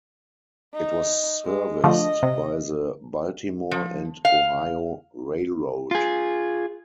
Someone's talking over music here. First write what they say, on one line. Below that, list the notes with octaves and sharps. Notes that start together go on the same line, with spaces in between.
It was serviced by the Baltimore and Ohio Railroad.
D#4
G#3
D3 F3 A3 D#5
C3
F3
F5
F4 G#4